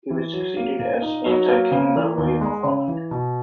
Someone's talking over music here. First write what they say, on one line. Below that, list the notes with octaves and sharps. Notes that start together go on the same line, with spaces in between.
He was succeeded as anti-king by William of Holland.
E3
F#3
A#3
A#2
D#4
F#3
A#3
C#3
E3
D#2
G#3
C#3
E3
B2